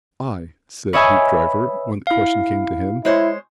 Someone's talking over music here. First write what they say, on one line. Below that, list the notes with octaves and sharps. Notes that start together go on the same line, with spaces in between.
"I?" said Hoopdriver when the question came to him.
B4 C#5 D#5 E5 G#5 B5
E4 F5
G#3 E4 C5 C#5